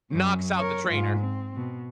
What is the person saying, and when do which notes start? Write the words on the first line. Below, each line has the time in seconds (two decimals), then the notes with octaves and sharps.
knocks out the trainer,
0.11 F#2
0.57 A#4 C#5
0.88 G#2 F4
1.20 C4
1.56 B2